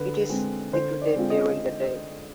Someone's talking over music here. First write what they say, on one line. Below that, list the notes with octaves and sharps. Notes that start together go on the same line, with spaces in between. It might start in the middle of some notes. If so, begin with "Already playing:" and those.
It is secretive during the day.
Already playing: D3 B4
G#3 C4
D3 C5
D5
G#3 C4 F4
D#5